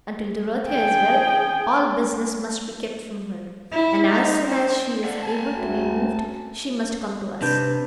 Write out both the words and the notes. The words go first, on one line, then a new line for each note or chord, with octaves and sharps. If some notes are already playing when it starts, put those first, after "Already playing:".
Until Dorothea is well, all business must be kept from her, and as soon as she is able to be moved she must come to us.
G#4 G5
E4
D#4
C4
D5 F5 F#5
G#5 A5
D2
C3 D4 B4 G6